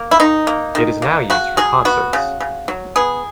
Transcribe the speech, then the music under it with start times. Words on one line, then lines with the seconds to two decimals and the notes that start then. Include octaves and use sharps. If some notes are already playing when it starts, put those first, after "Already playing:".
It is now used for concerts.
Already playing: A#3
0.11 E4
0.20 D#3 D#4
0.47 A#3
0.75 D#3
1.02 A#3
1.30 C#3 F#4
1.57 F#3 G#4
1.85 B3 F#4
2.13 C#3
2.40 C#3
2.68 F#3
2.96 B3 G#4